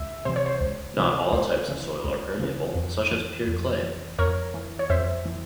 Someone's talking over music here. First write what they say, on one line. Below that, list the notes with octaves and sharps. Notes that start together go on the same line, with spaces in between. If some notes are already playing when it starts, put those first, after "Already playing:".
Not all types of soil are permeable, such as pure clay.
Already playing: C#2 E5
C3 E3 C5
C#5
C5
C#2
C3 E3
C#2 C5
C#3 E3
C#2
C#3 E3
F2
E3
F2
E3
F2 A#4 C#5
E3
C#5
F2 C5 E5
E3